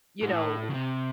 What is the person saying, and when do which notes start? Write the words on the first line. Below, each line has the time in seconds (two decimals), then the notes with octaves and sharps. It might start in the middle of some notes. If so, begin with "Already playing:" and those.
you know,
0.23 G#2
0.29 A2
0.71 C#3
0.74 C3